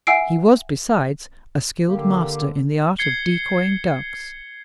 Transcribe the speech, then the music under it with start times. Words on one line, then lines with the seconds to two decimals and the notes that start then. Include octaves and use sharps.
He was, besides, a skilled master in the art of decoying ducks.
0.07 E5 F#5 G#5 E6 C7 D7
1.87 D3 A#3 G4
2.98 G#6 C7 C#7 G7